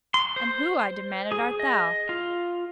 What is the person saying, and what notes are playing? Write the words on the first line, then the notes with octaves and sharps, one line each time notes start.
"And who," I demanded, "art thou?"
C6
C5
G#4
D#5
F4